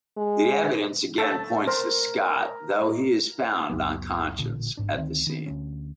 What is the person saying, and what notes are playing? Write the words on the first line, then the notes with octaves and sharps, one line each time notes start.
The evidence again points to Scott, though he is found unconscious at the scene.
G#3
A3 A4 A5
A#4 C5
F#1 C#2 F#3 B3
A1 A#2 D3
G1 G#2 D4
D2 D#3 C4
D#3 B3
D2 F#3 C#4